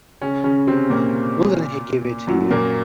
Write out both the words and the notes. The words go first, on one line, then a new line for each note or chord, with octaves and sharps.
Wouldn't he give it to you?
C#3 C#4
C#3 C#4
C3 C4
A#2 A#3
F#2 F#3
A#2 A#3